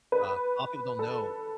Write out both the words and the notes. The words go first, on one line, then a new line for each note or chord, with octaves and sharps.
Uh, lotta people don't know
B4
A4